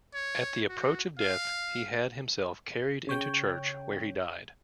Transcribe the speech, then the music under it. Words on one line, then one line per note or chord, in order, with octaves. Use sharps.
At the approach of death he had himself carried into church, where he died.
C#5
F#4
F5
C#3 C#5 G5